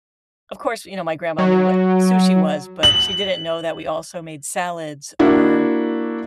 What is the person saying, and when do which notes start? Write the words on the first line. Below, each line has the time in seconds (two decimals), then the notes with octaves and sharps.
of course, you know, my grandma knew what sushi was, but she didn't know that we also made salads or
1.38 F#3
2.83 F#7
5.19 A#3 D4 E4 F#4